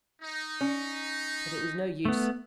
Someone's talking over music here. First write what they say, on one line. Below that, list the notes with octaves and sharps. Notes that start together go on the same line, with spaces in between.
But it was no use.
D#4
C#4
A3 B3